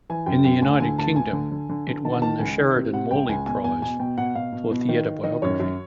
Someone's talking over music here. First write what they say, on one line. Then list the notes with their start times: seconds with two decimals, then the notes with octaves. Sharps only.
In the United Kingdom, it won the Sheridan Morley Prize for Theatre Biography.
0.10 E3 G#5
0.26 F#2 G5
0.45 F#2 G5
0.62 D2 G#5
0.80 D3 G#5
0.98 D2 A5
1.16 D2 G#5
1.33 D3
1.51 D3
1.69 D3
1.87 D3
2.05 D#3 A5
2.22 D#3 A5
2.39 C#2 G#5
2.58 D#3
2.76 C3
2.94 C3 F#5
3.11 C#2 G5
3.29 C#2 G#5
3.47 B2 G#5
3.64 E2 G#5
3.82 B2 G#5
4.00 B2 G5
4.18 B2 F#5
4.35 B2 F5
4.53 B2
4.71 B2
4.89 D#3
5.06 D#3
5.24 D#3 D#5
5.42 F#2 C#5
5.60 F#2